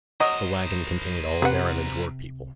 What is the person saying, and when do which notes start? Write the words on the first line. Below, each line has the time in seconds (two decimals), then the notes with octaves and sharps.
The waggon contained all Derriman's workpeople.
0.20 F#3 A#4 C5 D#5
1.42 C3 G4 B4 F#5